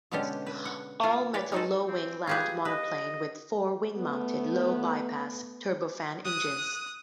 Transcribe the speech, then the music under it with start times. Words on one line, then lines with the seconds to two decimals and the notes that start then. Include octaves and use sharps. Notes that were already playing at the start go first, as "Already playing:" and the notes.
All-metal low-wing land monoplane with four wing-mounted low-bypass turbofan engines.
0.11 B2 D3 G#3 C#4 D4 G4
0.47 B4
0.65 F#5
1.03 F4
1.34 B4 C#5 D5 G5
1.52 G#3 D#4 F#4 G#4 A4
1.88 C4
2.27 F4 G4 G#4 B4
2.65 B4 D#5
3.96 A3 B3
6.25 D#6 F#6